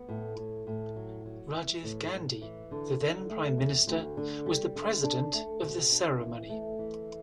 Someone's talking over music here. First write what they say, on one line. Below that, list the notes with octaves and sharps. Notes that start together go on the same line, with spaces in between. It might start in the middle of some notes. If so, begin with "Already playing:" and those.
Rajiv Gandhi, the then prime minister was the president of the ceremony.
Already playing: B3
A2
A2
A2
F#3
F#3
E3
A2
A2
E3
D3
D3
A3
E2
D2
D3
G3
D3
D4
A3
B2
D4
E3
A3
E3